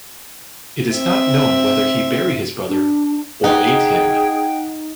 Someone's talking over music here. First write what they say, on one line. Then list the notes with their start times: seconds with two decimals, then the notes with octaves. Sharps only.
It is not known whether he buried his brother or ate him.
0.94 C4 E5
2.68 D4
3.44 D#4 G#4 F#5 G5